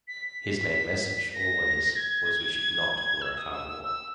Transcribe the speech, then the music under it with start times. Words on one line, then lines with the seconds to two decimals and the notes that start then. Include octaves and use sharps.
His main message always was we should not glorify war.
0.08 B6
1.33 A#6
1.96 G#6
3.22 E6
3.38 D#6
3.54 E6
3.69 E6
3.84 E6